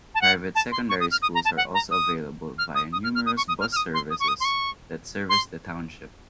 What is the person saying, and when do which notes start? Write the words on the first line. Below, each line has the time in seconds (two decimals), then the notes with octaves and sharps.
Private secondary schools are also available via numerous bus services that service the township.
0.15 A5
0.21 F#5
0.55 A5
0.72 C6
0.89 C#6
1.00 D#6
1.11 F6
1.22 D#6
1.35 A#5
1.45 A5
1.57 F#5
1.74 A#5
1.91 D#6
2.58 F6
2.75 D#6
2.92 D#6
3.04 F6
3.15 F6
3.26 D#6
3.37 C#6
3.48 D#6
3.61 F6
3.72 F6
3.76 D#6
3.94 C6
4.10 D#6
4.20 C#6
4.28 D#6
4.40 C6
4.45 C#6
5.29 C6